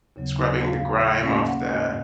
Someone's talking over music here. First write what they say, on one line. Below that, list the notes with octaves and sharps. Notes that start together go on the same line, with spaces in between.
scrubbing the grime off the
D#2 C#3 F#3 B3
F5
B2 A#3 C#4 F5
F#5
D#5